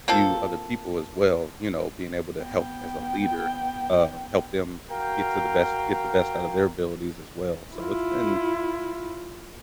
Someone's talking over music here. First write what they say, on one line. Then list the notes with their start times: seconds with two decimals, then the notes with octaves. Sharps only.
view other people as well, you know, being able to help as a leader, um, help them get to the best get the best out of their abilities as well, so, it's been,
0.08 A#3 C4 F4 A4
2.37 B3 G5
4.90 F#4 A#4 F5 G5
7.76 E4 F4